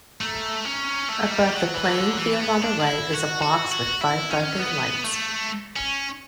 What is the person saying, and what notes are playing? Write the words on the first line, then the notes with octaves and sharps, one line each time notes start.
Above the playing field on the right is a box with five darkened lights.
A3
C#4
A3
G3
F#3
E3
D3
E3
B3
D4
D4
E4
F#4
F#4
F#4
E4
C#4
B3
A3
C#4